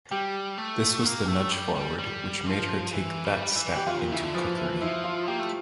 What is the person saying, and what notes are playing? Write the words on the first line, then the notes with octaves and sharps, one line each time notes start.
This was the nudge forward which made her take that step into cookery.
G3 G4
A3
A#3
A3
G3
G3
G3
F3
E3
G3
E3
G4
E3 F4
A#2
C#3 E4
D3
E3 F3
F3 E4
F4
A#3 G4
A3